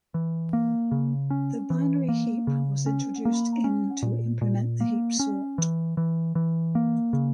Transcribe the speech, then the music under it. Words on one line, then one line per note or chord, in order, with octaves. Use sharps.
The binary heap was introduced in to implement the heapsort.
E3
A#3
C#3
C#4
E3
A#3
C#3
C#4
A#3
C#4
A#2
A#2
A#3
C#4
E3
E3
E3
A#3
C#3